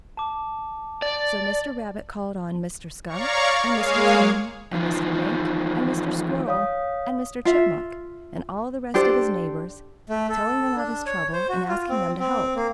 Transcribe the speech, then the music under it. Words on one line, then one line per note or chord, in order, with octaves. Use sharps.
So Mr. Rabbit called on Mr. Skunk and Mr. Coon and Mr. Mink and Mr. Squirrel and Mr. Chipmunk, and all the rest of his neighbors, telling them of his trouble and asking them to help.
A5 D6
D5
C#5 D5 F5 A#5 C#6
G#3 A#3 G#4 C#5 F5
E2 D#3 F3
C#5 F5 D#6
F4 E5
D4 G4 A4 C5
A3
A4
D4
C#5
C5
F#4
F4
C4
C4
A#3